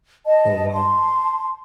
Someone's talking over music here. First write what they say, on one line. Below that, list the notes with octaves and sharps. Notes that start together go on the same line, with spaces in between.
Oh, wow.
D#5 A5
A5 C6